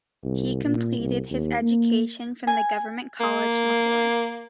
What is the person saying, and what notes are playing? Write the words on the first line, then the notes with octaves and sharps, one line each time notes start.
He completed his education from the Government College Lahore.
C2
A#2
C2
D#2
A#3
G#5
A#3